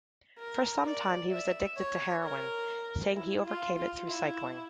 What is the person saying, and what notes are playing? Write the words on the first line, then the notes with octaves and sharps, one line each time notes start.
For some time he was addicted to heroin, saying he overcame it through cycling.
A#4
D5
E5
C#5
A#4
E4
F4
F4
E4